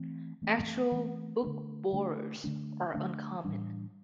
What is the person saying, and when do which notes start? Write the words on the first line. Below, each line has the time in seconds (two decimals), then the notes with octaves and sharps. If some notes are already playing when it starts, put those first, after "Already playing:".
Actual book-borers are uncommon.
Already playing: E3 A3 C4
0.42 E3 A3 C4
0.92 E3 A3 C4
1.43 D3 A3 D4
1.93 D3 A3 D4
2.44 D3 A3 D4
2.94 D3 A3 D4
3.45 A2 E3 G3 D4